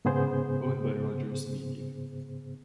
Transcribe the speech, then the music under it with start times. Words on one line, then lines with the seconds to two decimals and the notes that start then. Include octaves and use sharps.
Owned by Rogers Media.
0.05 G#2 C#3 B3 G#4 C5 G6